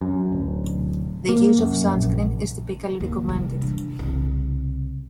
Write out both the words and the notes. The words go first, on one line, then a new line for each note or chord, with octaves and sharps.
The use of sunscreen is typically recommended.
F#2
D1
A#3
F#2
A#1
A1 D#2
C3 G3
E3 D4
C2 C#3